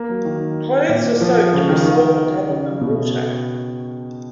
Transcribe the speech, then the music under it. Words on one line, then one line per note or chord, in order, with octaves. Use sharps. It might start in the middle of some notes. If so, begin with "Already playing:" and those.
Clothes are soaked in a solvent other than water.
Already playing: A#3
F#3
D#3
A#2
F3
C#3
D#3
D#3
C#3
B2